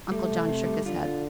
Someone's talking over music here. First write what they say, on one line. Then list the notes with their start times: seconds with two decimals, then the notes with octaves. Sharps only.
Uncle John shook his head.
0.11 G3 A3
0.30 C2
0.49 C3
0.66 G3
0.85 D3 F4
1.03 F4